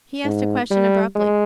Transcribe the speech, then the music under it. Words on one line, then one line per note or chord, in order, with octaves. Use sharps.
He asked a question abruptly.
G#2
G3
G#3